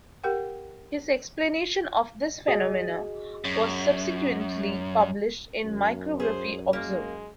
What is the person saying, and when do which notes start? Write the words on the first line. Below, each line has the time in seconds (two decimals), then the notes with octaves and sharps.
His explanation of this phenomenon was subsequently published in Micrography Observ.
0.24 G4 A#4 F#5 G5
2.48 F#4 G#4 D#5
3.44 F#2
5.64 F#2
6.20 G#4 C5
6.73 G#3 A#3